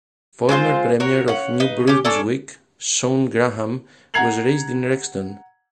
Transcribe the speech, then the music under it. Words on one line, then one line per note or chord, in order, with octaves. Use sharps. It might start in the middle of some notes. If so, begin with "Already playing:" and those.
Former Premier of New Brunswick, Shawn Graham, was raised in Rexton.
G#3 C4 F4 C5
F#4 A#4 C#5
C#4 F#5
D#4 B4
C#4 G4
C#4 D4 A4 D5
F#5 A#5 G#6 C7 F7 F#7